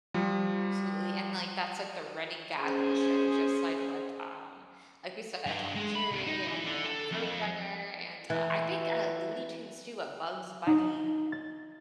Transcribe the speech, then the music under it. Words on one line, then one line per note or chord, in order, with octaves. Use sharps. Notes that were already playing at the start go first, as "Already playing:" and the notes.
Absolutely, and, like, that's, like, the running gag of the show, just like with, um like we said, Tom and Jerry and, uh, Roadrunner and, uh, I think, uh, Looney Tunes too, but Bugs Bunny,
F3 G3
C#4 G#4 C5
G2
G#3
B5
C2
D#4
E3
D3
A4
F2
E3
D#4
A6